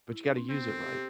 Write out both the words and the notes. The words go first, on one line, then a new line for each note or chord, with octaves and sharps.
but you gotta use it right,
E4
D4
C4
B3 C4
A4
G4
G4